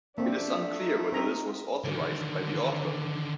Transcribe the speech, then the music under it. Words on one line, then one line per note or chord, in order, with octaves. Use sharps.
It is unclear whether this was authorized by the author.
A3 A#3 C4 D4
D#4
C4 A#5
D3 D#3